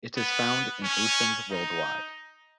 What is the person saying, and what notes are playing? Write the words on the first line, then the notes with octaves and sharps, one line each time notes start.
It is found in oceans worldwide.
B3
C#4
D#4